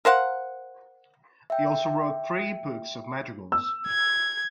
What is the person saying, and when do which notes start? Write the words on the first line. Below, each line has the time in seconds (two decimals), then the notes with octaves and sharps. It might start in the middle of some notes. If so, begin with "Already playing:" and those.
He also wrote three books of madrigals.
0.05 A#4 C5 F5 F#5
1.50 E5 G5
3.52 E6
3.87 G#6